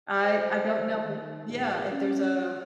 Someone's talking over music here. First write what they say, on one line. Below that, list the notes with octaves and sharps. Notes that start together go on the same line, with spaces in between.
I I don't know yeah, if there's a
C5
D#3
A#1
C#4